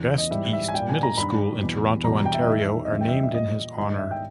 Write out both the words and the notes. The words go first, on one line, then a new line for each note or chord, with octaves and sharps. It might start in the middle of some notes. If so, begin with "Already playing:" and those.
Best East Middle School in Toronto, Ontario, are named in his honour.
Already playing: E2 C#3 E3
D#5
G#2 E3 G3 E5
E5
G#5
A#2 G3 G5
G#5
A#5
G2 D#3 G3 B5
E2 B2 G3
E2 B2 G3 A#5
G5
E5
D#5
E2 D#3 G3 E5
D#5
E2 C#3 G3 E5
G5
E5
D#5
E5
A#2 G3 D#5
G#2 D#3 G3 D#5
E5
G5